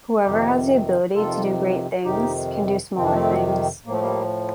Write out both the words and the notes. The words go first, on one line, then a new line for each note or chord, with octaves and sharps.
Whoever has the ability to do great things can do smaller things.
F2 C3 D#3 D#4 G4
F2 C3 D#3 F4 A4
F2 C3 D#3 D#4 G4
F2 C3 D#3 C4
D4
A3 C4
A2 F3 A3 A#3
G3 A#3